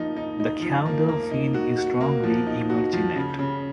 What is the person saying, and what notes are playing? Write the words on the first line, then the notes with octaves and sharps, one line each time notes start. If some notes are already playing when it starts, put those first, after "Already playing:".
The caudal fin is strongly emarginate.
Already playing: F3 A#3 D#4
D#4
D#4
F3
A#3
A#3
D#4
F#4
F#4
A#3
F3
D#4
F#4
F3
C#3
C#3